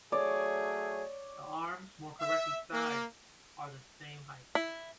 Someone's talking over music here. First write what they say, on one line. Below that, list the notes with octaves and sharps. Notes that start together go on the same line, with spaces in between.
The arms, more correctly sides, are of the same height.
F#3 A3 G#4 C#5 D5
E5
A#3
E4